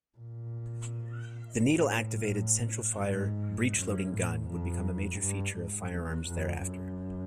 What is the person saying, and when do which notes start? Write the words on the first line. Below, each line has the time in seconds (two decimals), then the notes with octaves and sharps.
The needle-activated central-fire breech-loading gun would become a major feature of firearms thereafter.
0.18 A#2
1.61 A2
3.05 G#2
3.76 F#2
4.12 A2
4.48 F2
5.20 G2
5.56 G#2
5.92 E2
6.27 F2
6.63 F#2